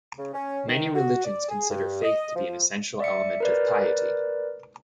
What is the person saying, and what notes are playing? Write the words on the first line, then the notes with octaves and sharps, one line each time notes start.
Many religions consider faith to be an essential element of piety.
C#3
C#4
D#3
F#4
D5
G#4
G2
D#5
F3
D5 E5 C#7
A#4 B4 D5